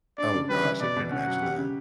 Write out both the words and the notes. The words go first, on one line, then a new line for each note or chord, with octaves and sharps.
Oh gosh, I couldn't imagine that.
D4 D5
C#3
G3 B4
E3
B2 D5
B2
C#4 F#5
F#3
G4
C#3